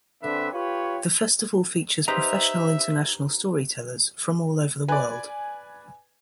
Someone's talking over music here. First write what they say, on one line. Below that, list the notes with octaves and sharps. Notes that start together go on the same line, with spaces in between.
The festival features professional international storytellers from all over the world.
D3 C4 D4 B4 E5
F4 G4 B4 C#5
D#4 G4 B4 C5 E5 A#5
B4 D5 G#5